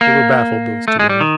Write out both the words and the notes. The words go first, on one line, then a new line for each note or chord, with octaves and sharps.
They were baffled, those two women.
A#3
A3
G#3
G3
D#3